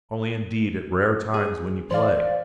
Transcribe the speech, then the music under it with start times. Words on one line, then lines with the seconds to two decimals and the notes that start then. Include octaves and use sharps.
Only indeed at rare times when you play.
1.34 G#4
1.91 E3 C5 D5 F5 D6